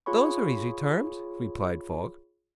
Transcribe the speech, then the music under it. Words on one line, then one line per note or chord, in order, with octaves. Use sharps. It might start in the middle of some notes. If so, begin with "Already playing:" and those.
"Those are easy terms," replied Falk.
F4 G#4 C#5 B5 C#6